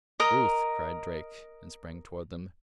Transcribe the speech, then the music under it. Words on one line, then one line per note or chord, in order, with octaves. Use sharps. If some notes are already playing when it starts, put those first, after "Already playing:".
"Ruth!" cried Drake--and sprang toward them.
A#4 D#5